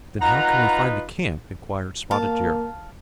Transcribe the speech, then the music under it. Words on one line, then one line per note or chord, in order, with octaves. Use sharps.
"Then how can we find the camp?" inquired Spotted Deer.
D#4 F4 B4 F#5 A#5
A#3 F5 A5